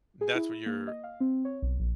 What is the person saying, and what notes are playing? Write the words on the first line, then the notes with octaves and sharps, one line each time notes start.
that's what your
G#4
E4
A#3
D#5
F5
C4
C#5
B1
A#1